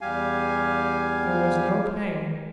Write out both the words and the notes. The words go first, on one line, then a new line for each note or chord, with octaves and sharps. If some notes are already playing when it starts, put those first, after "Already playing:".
There was no pain.
E2 G3 G4 F5 G#5